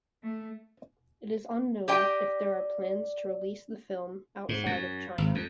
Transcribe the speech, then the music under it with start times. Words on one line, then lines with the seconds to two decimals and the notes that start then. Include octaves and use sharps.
It is unknown if there are plans to release the film outside of China.
0.23 A3
1.88 G4 D5 D#5 G5
4.49 G#2
4.66 F#2
5.18 G#1
5.35 F2